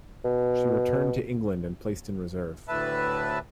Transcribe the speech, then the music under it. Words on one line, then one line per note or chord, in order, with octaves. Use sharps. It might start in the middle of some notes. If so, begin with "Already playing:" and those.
She returned to England and placed in reserve.
B2
D2 A2 B4 E5 A5